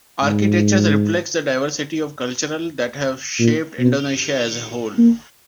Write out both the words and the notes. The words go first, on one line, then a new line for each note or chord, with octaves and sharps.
Architecture reflects the diversity of cultural that have shaped Indonesia as a whole.
G#2
A#2
B2
A#3